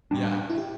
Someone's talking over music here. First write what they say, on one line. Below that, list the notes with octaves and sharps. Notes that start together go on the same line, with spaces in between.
Yeah, it's
A2 G3 D4
E4
G4